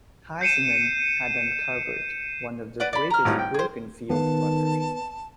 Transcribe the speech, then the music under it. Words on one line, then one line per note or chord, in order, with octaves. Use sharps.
Heisman had uncovered one of the greatest broken-field runners.
G6 C7 C#7 D#7 E7
B4 D5 F#5
D5 B5
A#5 F6
G#1 A2 G3
G5
G#4 C5
D#3 B3 F5 A5